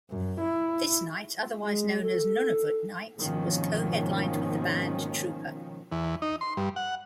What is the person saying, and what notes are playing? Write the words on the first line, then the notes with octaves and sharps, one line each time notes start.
This night, otherwise known as "Nunavut night", was co-headlined with the band Trooper.
F#2
E4
G#3
A4
G#1 B2 D#3 F3 A#3 C#4
E2
D#4
C6
G2
F#5